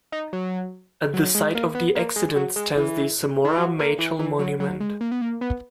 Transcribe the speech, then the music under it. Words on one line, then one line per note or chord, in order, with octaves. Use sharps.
At the site of the accident stands the Samora Machel Monument.
D#4
F#3
F#3
G#3
A#3
B3
A#3
G#3
F#3
G#3
E3
D#3
E3
F#3
A#3
E3
E3
F#3
F#3
G#3
A#3
B3
A#3
B3